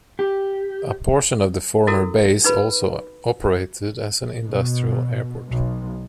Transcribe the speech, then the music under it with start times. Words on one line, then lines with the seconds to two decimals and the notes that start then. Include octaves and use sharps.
A portion of the former base also operated as an industrial airport.
0.19 G4
1.87 E4 F#4 A4 A#4
2.44 D#4 B4 B5
4.46 B2
5.48 B1